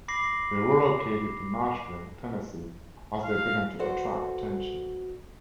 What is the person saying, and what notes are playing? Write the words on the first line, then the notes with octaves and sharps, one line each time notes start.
They relocated to Nashville, Tennessee as they began to attract attention.
B5 D6 A#6 C7 F#7
F5
F#4 A4 B4 C5 D5 F#5